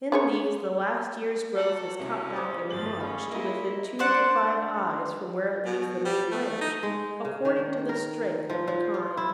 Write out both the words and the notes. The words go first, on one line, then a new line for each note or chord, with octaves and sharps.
In these the last year's growth is cut back in March to within two to five eyes from where it leaves the main branch, according to the strength of the kind.
C#4 G#4 C#5
F#3 A4 F#5
C2 C#3 G#3 C#4
G3 C5 D6 D#6
G1 F3 A6 F#7
G#3 C#4 F5 B5
A#3 E4 F4 D#5
D4 C5 D5 F#5
B2
G3
A3
D#4
G#3
C#3
D#3
A#4
F3
F3
F4
E4